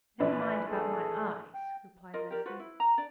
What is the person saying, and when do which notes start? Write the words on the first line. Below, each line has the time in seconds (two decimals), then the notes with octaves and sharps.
"Never mind about my eyes," replied Leslie.
0.20 A#1 E3 D4 B4 B5
0.70 G#4 A4
1.54 G5
2.13 F4 A#4 D#5
2.30 G4 A#4 D5
2.46 F4 F#4 B4 C5
2.60 E4
2.80 A#5
2.98 D4 D5